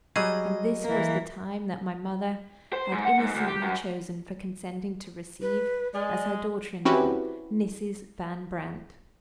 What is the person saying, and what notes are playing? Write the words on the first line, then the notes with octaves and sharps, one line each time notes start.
And this was the time that my mother had innocently chosen for consenting to receive as her daughter-in-law Mrs. Van Brandt!
F#3 G3 G#4 D#5
E3 A#3
C5
G#2
F#5
G#2
D2
G4
F#2
B4
G#3 D5
C4 C#4 E4 F#4 G4 B4